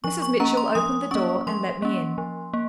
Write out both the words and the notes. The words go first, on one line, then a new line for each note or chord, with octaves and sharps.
Mrs. Mitchell opened the door, and led me in.
F3 C#6
C#6
A#3 C#4 A#5
C6
F3 D#6
A#3 C#4 C#6
F3 C6
A#3 C#4
F3
A#3